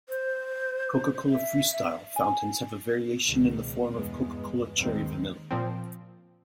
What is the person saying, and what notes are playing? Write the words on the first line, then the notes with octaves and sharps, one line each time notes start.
Coca-Cola Freestyle fountains have a variation in the form of Coca-Cola Cherry Vanilla.
C5
E5
G#5
C#2 B2 D#3
E2 G2 G#3 B3
D#2 D#3 G#3 C4
A#2 F3 C4